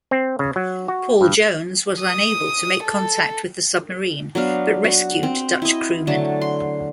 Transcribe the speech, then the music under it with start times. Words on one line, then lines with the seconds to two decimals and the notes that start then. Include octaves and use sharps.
"Paul Jones" was unable to make contact with the submarine, but rescued Dutch crewmen.
0.11 C4
0.39 C#3
0.56 F#3
0.88 F#4
1.21 G2
2.01 D#6
2.84 A4
4.35 F#3 B3 D4 F5
4.84 F#4
5.23 C4
5.62 E4 D#5
6.07 D3 F#3 A3 A5
6.41 C6